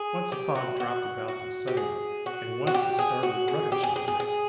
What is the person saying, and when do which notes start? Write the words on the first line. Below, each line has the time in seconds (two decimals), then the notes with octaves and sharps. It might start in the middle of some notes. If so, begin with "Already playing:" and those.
Once a fog dropped about them suddenly, and once the starboard rudder-chain broke.
Already playing: G#4
0.32 G4
0.55 F#4
0.80 F#4
1.28 F#4
1.68 G4
1.77 G#4
2.26 F#4
2.67 F#4
2.74 G4
2.99 G#4
3.23 F#4
3.48 G#4
3.72 G4
3.83 G#4
3.96 G#4
4.08 G#4
4.20 G#4